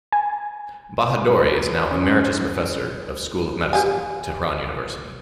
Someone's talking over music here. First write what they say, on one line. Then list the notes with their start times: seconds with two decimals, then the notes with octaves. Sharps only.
Bahadori is now Emeritus Professor of School of Medicine, Tehran University.
0.12 G#5
1.91 C#4
3.73 G4 F5 G#5